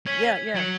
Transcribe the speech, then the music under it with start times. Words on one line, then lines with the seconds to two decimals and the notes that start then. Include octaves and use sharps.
Yeah, yeah.
0.06 C#4 G#6 B6 F#7
0.54 F#3 G#6 C#7 F#7